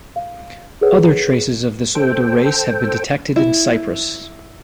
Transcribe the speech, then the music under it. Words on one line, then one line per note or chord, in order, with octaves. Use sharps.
Other traces of this older race have been detected in Cyprus.
F5
G#4 A4 B4 C#5 F#5
A4 C5 G5
E4